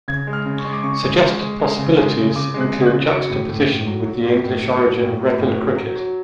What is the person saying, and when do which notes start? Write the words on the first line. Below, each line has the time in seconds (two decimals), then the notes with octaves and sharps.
Suggested possibilities include juxtaposition with the English origin of regular cricket.
0.08 C#3 G#6
0.27 G#3
0.33 F6
0.46 C#3
0.58 C#6
0.64 G#3
0.73 D6
0.83 C#3 C#6
1.03 G#3
1.22 G#3
1.40 G#3
1.59 G#3
1.78 C#3
1.97 G#3
2.17 C#3
2.36 C#3 D6
2.54 G#3
2.60 F#6
2.73 C#3
2.86 F#6
2.92 C#3
3.02 D7
3.11 F#3 C#7
3.30 A2
3.49 A2
3.68 A2
3.87 F#3
4.06 F#3
4.25 A2
4.44 A2
4.63 F#3 C#7
4.81 F#3
5.01 A2
5.20 F#3
5.38 A2
5.58 F#3
5.76 F#3
5.96 F#3